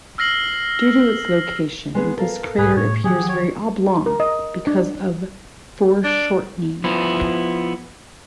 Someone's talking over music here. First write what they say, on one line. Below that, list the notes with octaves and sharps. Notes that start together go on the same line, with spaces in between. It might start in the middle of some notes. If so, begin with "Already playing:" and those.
Due to its location, this crater appears very oblong because of foreshortening.
E6 F6 A#6 C7 F#7
G#3 B3 G#4
A4 A#4 F5
B1 G#2 G#4 B4
A2 C#5
D#3 F3 F#3 G4 G#4 F#5 G5
C#5
A#4
D#5
D4
D4
F3 B3 E4